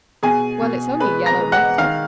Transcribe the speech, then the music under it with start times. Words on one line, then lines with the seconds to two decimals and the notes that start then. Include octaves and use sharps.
Well, it's only yellow metal.
0.23 B2 G#4 G#5
0.62 B2
1.00 G#3 B4 B5
1.26 A#5 A#6
1.40 G#3
1.52 F#5 F#6
1.78 D#3 F5 F6